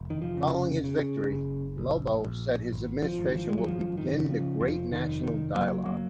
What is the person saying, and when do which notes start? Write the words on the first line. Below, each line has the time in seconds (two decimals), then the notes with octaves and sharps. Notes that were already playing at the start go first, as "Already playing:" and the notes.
Following his victory, Lobo said his administration will "begin the great national dialogue".
Already playing: F1
0.10 D#3
0.22 F3
0.37 C#3
0.84 C#3
1.31 F#1
1.78 A#1
2.25 A#1
2.72 G#1
3.04 F3
3.19 G#1
3.31 D#3
3.35 F3
3.49 G#3
3.58 F#3
3.66 F#2 F3
3.98 D#3
4.14 C#3
4.29 F3
4.60 F1 F3
4.92 D#3
5.08 F1
5.23 D#3
5.55 F#1 F#3 A#3
5.85 F#3 A#3